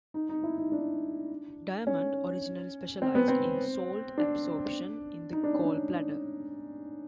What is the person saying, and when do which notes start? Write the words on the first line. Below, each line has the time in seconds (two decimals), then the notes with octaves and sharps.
Diamond originally specialized in salt absorption in the gall bladder.
0.14 D#4
0.29 D#4
0.43 E4
0.58 D#4
0.72 D4
1.87 C#4
3.02 C4
3.15 B3
3.28 C4
4.18 D4
5.33 D#4
5.44 D4
5.54 C#4
5.65 D4